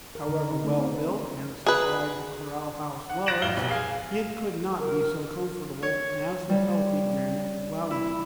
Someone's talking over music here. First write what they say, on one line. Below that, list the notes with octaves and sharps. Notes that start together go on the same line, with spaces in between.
However well built and supplied the corral house was, it could not be so comfortable as the healthy granite dwelling.
A#4
D3
D#4
A3
C4
B4
G#4 B4
F#5
F#6 A6 A#6 D7 E7 F#7
A1 F5 G7
F1 B1
G#4 F5 G#5
A#4
C#5
G3
E4